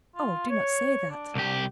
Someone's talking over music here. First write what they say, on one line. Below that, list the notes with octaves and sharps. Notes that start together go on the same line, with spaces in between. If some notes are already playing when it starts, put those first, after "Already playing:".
"Oh! do not say that."
F4
C#5
D4
C2 G4